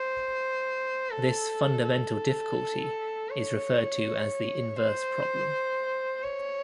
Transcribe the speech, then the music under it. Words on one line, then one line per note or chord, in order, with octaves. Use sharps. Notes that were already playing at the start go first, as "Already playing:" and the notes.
This fundamental difficulty is referred to as the inverse problem.
Already playing: C5
A4
A4
C#5
C5
C#5